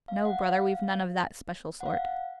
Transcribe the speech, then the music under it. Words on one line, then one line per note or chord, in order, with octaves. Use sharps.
"No, brother, we've none of that special sort."
F5
F#5
F5
F5
F#5
F5